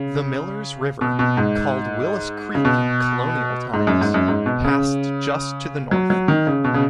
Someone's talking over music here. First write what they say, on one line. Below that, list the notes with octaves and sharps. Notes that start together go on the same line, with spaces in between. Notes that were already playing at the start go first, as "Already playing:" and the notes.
The Miller's River, called Willis Creek in colonial times, passed just to the north.
Already playing: C#3
B2
B2
G#2
C#3
B2
G#2
F#2
G#2
F#2
G#2
B2
C#3
F#3
F#3
D#3
C#3
B2
C#3